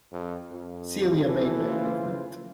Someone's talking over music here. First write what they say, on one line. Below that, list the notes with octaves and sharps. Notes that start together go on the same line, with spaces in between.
Celia made no movement.
F2
F2
E2 E3 A4
C#3 F4 C5